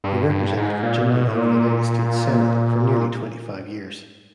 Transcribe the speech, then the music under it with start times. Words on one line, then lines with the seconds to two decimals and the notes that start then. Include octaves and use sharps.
He represented Virginia in the United States Senate for nearly twenty-five years.
0.04 G2
0.29 G2
0.57 G#2
0.83 A#2
1.10 B2
1.27 A2
1.36 A#2